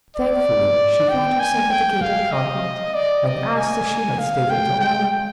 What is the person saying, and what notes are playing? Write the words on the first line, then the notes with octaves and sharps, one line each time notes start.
Thankfully she found herself at the gate of a convent, and asked if she might stay there till morning.
D5
G5
G#5
G5
F5
D#5
D5
D#5
G#5
F5
G5
G5